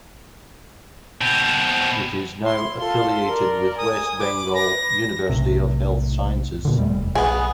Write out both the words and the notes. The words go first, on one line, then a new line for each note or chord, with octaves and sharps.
It is now affiliated with West Bengal University of Health Sciences.
B2 C4
E4 C6
F4 A4 C6
A#4 D5
G#5 D#6
B4 D6
A#6
B1 A2 C3
A#2 D3
E2 G3 A3
F1
B1 B3 G#4